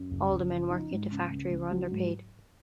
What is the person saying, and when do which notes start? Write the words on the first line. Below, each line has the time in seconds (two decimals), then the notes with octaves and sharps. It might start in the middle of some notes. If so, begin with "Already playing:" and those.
All the men working at the factory were underpaid.
Already playing: F#2
0.11 F#1
0.31 F#1
0.50 F3
0.70 D#4
0.91 G#2
1.11 C#3
1.30 C#2
1.50 C#2
1.71 F#3
1.91 G#2